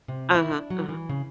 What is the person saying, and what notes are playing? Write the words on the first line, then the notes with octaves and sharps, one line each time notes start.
Uh-huh. Uh-huh.
C3
E4
D4
F#3
E3
C#3